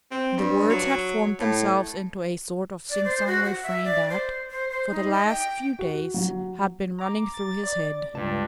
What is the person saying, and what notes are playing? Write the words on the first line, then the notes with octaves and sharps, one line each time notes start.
The words had formed themselves into a sort of singsong refrain that, for the last few days, had been running through his head.
C4
G2
F#3
A2
D5
C5
F#4
F#5
E5
D5
C5
C5
C5
D#4
D#5
G5
F#4
F#3
A#5 D6
A6
D5
C#2 G2 A5